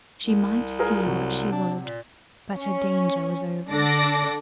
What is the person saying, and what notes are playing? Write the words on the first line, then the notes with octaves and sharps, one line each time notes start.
She might see what she would, but her danger was over.
C2
F4 G#4 A#4
C3 F#3
D4
A#2
C#4
D3 D4 A4 D5 D6 A#6